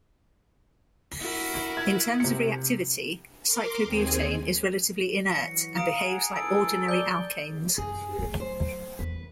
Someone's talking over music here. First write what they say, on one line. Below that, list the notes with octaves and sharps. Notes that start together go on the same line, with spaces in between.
In terms of reactivity, cyclobutane is relatively inert and behaves like ordinary alkanes.
E4 F#4 A#4
G#6
C3 C#7
A#4 C6 D6
D#2 C4 G#4 G#5
E3 F#3 A#6 C#7
F5 A#5 D#6 D7
G#4 F#5
F#1 C#2 A4 B4 D7
D5 G6 G7
F#2 G#4
F#3 A3
C5
E2 A3 B4